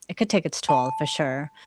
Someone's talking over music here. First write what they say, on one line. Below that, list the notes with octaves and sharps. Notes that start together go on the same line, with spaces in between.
it could take its toll for sure.
A5